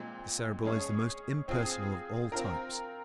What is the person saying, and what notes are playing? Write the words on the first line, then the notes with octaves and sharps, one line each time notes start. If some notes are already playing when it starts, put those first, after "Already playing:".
The Cerebral is the most impersonal of all types.
Already playing: A#2 G#3 C4 F4
G#3 C#4 G#4 C#5
C4 F4 G#4
C4 F4 A#4